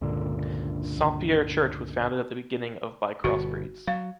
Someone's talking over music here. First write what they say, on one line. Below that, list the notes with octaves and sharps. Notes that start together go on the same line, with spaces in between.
Saint-Pierre church was founded at the beginning of by cross-breeds.
C#2 G2 A#2 D3
G1 B2 F#4
F#3 F5